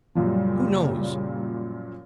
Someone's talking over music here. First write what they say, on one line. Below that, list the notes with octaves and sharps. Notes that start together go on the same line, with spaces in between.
Who knows!
F#2 A#2 C#3 F3 G3